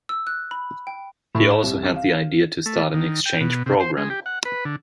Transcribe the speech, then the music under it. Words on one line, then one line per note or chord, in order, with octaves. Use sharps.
He also had the idea to start an exchange program.
E6
F#6
B5
G5
A2
E7
C2
F5
A3
D#3
G5
B2
C3
C5
G#3
G4
F#5
B4
D3